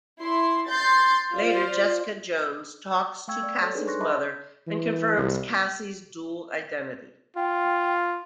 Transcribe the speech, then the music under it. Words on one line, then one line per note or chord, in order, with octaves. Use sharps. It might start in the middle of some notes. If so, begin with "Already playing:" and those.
Later, Jessica Jones talks to Cassie's mother and confirms Cassie's dual identity.
E4 C6
C6 G6 A6
F4 C5 D5
A3 F5 G5 C#6 E6 G#6
D5
A4 C5 C#5
D4 D#4 G#4 A4 B4
C6 C#6 F#6 A#6
D#5 E5 A5 B5 C6 D6
E3
C2
F4 G5